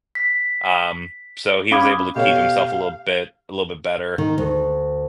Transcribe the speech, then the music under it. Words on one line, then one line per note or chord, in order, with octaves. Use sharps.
um, so he was able to keep himself a little bit a little bit better,
B6
C#4 F5 B5 D6 D#6 G#6
B2 A3 G4 C#5 F5
D#3
D2